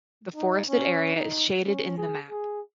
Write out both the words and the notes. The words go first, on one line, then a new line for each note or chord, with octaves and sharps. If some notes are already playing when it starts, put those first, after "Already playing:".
The forested area is shaded in the map.
D#4
C#4
D#4
C#4
G#4
G#4